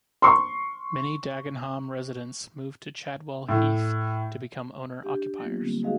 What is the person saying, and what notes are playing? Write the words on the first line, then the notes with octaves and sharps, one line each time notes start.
Many Dagenham residents moved to Chadwell Heath to become owner occupiers.
C6 C#6
A2
D4 G4
F#3 A#3 B3 F4
D3 G3 A#3 C4
G#3 D#4 F#4 G#4 D#5 F5